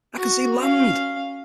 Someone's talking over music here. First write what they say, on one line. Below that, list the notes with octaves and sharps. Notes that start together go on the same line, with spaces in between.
I can see land!
F#4
C#4 F5